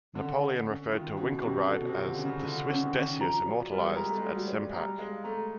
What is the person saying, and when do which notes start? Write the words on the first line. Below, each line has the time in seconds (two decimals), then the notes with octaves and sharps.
Napoleon referred to Winkelried as "the Swiss Decius immortalized" at Sempach.
0.14 D3 C#4
0.41 A4
0.65 C#4
0.91 D#3 F4
1.17 B2 C#4
1.42 C3 C#4
1.67 B2 A4
1.81 B2
1.87 C3
1.93 F4
2.05 D3
2.18 C#4
2.25 C#3
2.44 D3 F4
2.70 D3 C#4
2.83 D#3
2.95 C#4
3.20 F3 A#5
3.41 F3
3.46 F#3 D5
3.71 G3 A#4
3.88 G#3
3.96 G3 A#5
4.09 A3
4.18 G#3
4.22 G3 F5
4.35 F#3
4.47 D5
4.70 G#3
4.73 G3 A#5
4.98 G#3 F5
5.24 A3 A#5